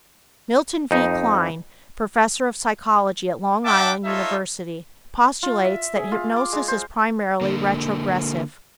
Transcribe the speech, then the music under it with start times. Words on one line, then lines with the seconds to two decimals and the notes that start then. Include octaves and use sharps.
Milton V. Kline, professor of psychology at Long Island University, postulates that hypnosis is primarily retrogressive.
0.91 F2 D#4
3.65 D4 E5 F#5 G5 A5 D6
4.05 D#4 F4 A4 C#5 E5
5.43 F4
5.65 E5
5.96 G#4
6.12 F4
6.36 D6
6.53 G#3
6.68 C5
7.41 D3 A#3